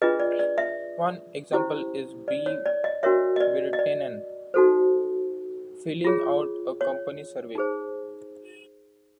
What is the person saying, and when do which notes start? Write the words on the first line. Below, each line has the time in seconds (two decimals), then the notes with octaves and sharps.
One example is B. Virtanen filling out a company survey.
0.02 D4 F4 G#4 B4 D#5
0.20 D5
0.39 D5
0.58 E5
1.52 C#4 E4 G4 C5
2.28 D5
2.46 C#5
2.66 D5
2.84 D#5
3.03 D4 F#4 A#4 C#5 E5
3.36 D#5
3.40 D5
3.73 D#5
3.79 D5
4.54 D#4 F#4 A4 C5
6.04 F4 G#4 C#5
6.81 C#5
7.55 D#4 G#4 C5